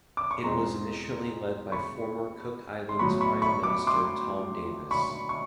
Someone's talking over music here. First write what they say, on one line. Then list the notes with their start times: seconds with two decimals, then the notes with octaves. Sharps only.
It was initially led by former Cook Islands prime Minister Tom Davis.
0.17 D6
0.31 C#6
0.44 E2 B2 G#3 C4 A#5 C6
1.72 B5 C#6
2.89 C6
2.99 A2 F#3 B3 B5 C#6
3.21 B5 C#6
3.42 B5 C#6
3.63 D6
3.87 C6 D6
4.91 B5 C#6
5.29 C#6